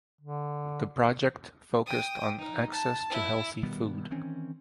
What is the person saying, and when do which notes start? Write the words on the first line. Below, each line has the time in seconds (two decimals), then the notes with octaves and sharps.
The project focused on access to healthy food.
0.21 D3
1.86 G5 D#6
2.39 D#4
2.71 A5
3.10 E4
3.63 B2 D#3 G3 B3
4.11 D#3 E3 C4 C#4